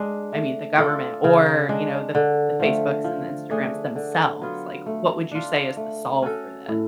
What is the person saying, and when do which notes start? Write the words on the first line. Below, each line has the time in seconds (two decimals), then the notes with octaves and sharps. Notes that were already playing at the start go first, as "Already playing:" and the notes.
I mean, the government, or, you know, the the Facebooks and the Instagrams themselves, like, what would you say is the solve for this?
Already playing: G#3 D4
0.32 A3
0.78 F4 A4 D5
1.24 C#3
1.69 G#3 D4
2.15 D3
2.60 F3 A3
3.04 F3
3.50 A3 D4 G#4
3.95 D3
4.41 F#3 B3 F4
4.86 A3
5.31 D4 F4
5.77 A3
6.22 C#4 F#4 A4
6.68 A2